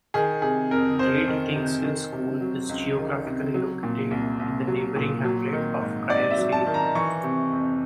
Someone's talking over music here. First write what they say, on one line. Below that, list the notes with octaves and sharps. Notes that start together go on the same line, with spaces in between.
Great Kingshill school is geographically located in the neighbouring hamlet of Cryers Hill.
D#3 G#4
C3 G#4
F2 A#4
F2 C5
D#3
C3
D#3
C3
F#3
C#2
D#3
C3
F#3
A#2
C2
C2
F#3
A#2
F#3
D#3
G#2
G#2 D5
E5
F#3
A5
D#3
A#5
E3 C#6
C3
F2